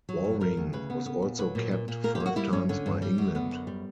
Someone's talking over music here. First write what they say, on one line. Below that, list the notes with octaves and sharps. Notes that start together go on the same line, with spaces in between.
Waring was also capped five times by England.
F#3
G2
G3 A#4
D2
C#3 B4
B3
B3
A#2
F#3 B4
A#2
A#2
A#2
A#3 A#4
G4
A#3
F#4
G3 E4
G2 C#4
D3 C#4
G2
G3
F#2
D3 B3
F#2
G3